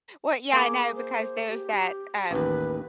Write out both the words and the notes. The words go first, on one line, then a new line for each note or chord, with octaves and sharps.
Well, yeah, I know because there's that, um,
A#3 G#4 D6
C5
G4
A1 D#2 B4